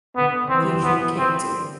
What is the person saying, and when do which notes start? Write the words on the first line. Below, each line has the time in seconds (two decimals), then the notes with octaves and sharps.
future kids, or
0.16 D3 B3
0.50 E3 C4
0.84 E3 B3
1.18 D3 C4